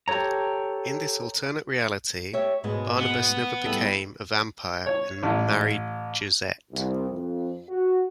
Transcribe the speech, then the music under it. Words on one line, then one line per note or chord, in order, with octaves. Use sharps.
In this alternate reality, Barnabas never became a vampire and married Josette.
G4 A4 C#5 A#5
G4 C#5 E5
G#2 B2 G#3
B3
G3 E4 A4
C#5
A1
C2
F2
F#4